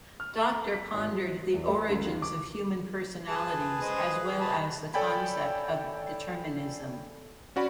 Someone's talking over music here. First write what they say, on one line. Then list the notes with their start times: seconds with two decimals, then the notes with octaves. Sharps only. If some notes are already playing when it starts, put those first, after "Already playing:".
Docter pondered the origins of human personalities as well as the concept of determinism.
0.20 F6
0.48 A#5
0.72 B6
0.93 G#1
1.12 F#3
1.54 E2
1.68 A3
1.90 C#2
2.05 D#2
2.22 D6
3.28 G#4 B4 A5
3.82 G#3 C5 D#5
4.41 A5 B5
4.94 A4 C#5 D5 G5 G#5 B5
7.56 C#4 F#4 D5 B5